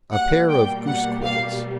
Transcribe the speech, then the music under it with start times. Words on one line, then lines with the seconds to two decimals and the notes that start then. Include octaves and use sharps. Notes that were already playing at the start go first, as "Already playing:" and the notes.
"A pair of goose-quills."
0.12 B2 G3 A#3 F#5
0.49 G5
0.86 F#5
1.23 F5